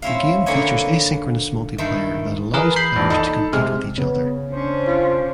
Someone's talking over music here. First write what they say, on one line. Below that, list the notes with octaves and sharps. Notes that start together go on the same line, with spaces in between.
The game features asynchronous multiplayer that allows players to compete with each other.
C4 C#4 E4 F5
D3 A#3 B3 C#5 D#5 G#5
G2 D#3 E4
E3 G#4 A#4 B4
B5 G6 C7
A#1 E3
D#4 A4 A5
C3 G#3 F6
C#3 B3
C#4 D4 C5
F4